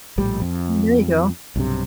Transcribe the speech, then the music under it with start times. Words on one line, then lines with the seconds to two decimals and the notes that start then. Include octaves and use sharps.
There you go.
0.18 A#1 A2 G3
0.42 F2
1.56 B1 G2 C3